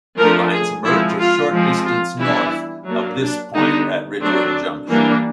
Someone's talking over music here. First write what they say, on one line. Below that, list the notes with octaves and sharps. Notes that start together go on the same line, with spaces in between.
The lines merge a short distance north of this point at Ridgewood Junction.
F3 A3 D4 A#4
G#4
F3 G#3 C4 E4
F4
F3 G#3 C4
F4
E3 G3 B3 D4 E4
F#3 A#3 D4
D4
D3 G3 B3 D4 D#4
F#3 A3 C4 D4
E3 G3 A#3 D4